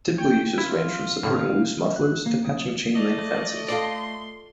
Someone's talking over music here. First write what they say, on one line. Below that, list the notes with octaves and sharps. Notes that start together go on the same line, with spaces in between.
Typical uses range from supporting loose mufflers to patching chain-link fences.
C#5 G5
E4 F4
A2 D3 D#3 F5
F#6
A#3
D#6
A3 D5 D#5
F4 A4 D5 C6